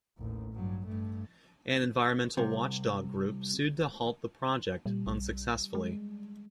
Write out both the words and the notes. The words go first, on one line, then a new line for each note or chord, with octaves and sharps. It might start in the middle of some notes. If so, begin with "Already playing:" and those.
An environmental watchdog group sued to halt the project, unsuccessfully.
A1 D#2
G2 F#3
G2 A3
C2 C3
A#2 G3
B1
G#3